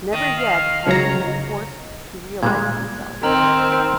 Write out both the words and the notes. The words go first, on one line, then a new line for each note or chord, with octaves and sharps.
Never yet had he been forced to realise himself.
D#3 D#5
F5
C#2 C#3 F#3 C#5 A#5
A#2 G3 G#3 G#6
D#3 C4 A#5 F6 F#7